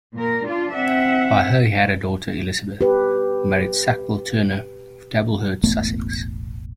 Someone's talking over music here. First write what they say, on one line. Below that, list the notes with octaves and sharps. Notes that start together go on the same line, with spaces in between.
By her he had a daughter Elizabeth, who married Sackville Turnor of Tablehurt, Sussex.
A#2 A#4
D4 F4
C4 E5 F#5
G4 B4
E1 A1 A3 B3